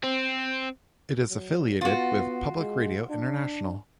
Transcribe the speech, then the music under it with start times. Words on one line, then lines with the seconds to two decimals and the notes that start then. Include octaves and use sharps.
It is affiliated with Public Radio International.
0.04 C4
1.30 F#3
1.81 B3 F4 F#4
2.57 G#3
3.10 D4